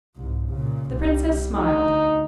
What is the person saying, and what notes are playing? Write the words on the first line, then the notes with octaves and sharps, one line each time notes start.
The princess smiled.
C2 G#2
A#2 C#3
C2 G3
D2 D#4